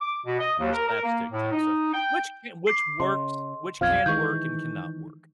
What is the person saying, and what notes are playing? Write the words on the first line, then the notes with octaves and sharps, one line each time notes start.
more slapstick type stuff, which ca which works which can work and cannot work.
D6
B2
D#5
D#2
A#4
A#4
A#3
A2
D#4
G5
D6 C7
C#3 D#5 C6
B1 F2 F3 F5 F6 G#6
D#3 E3 G#3 C#6 G6